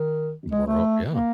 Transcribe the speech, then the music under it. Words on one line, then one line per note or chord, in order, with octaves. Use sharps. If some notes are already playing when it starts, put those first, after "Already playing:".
Worl Yeah.
Already playing: D#3
G#3
A3
A#3